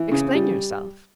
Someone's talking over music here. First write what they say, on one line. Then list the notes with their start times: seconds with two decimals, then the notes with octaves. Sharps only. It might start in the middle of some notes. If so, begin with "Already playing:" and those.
"Explain yourself."
Already playing: E3
0.12 C#3
0.35 G3